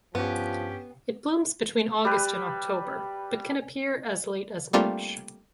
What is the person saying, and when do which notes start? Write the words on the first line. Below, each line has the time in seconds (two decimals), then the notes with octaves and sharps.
It blooms between August and October but can appear as late as March.
0.15 G2 F3 B3 C#4 G4
2.05 G3 B4
4.73 G3 A3 A#3 C4 D4 F4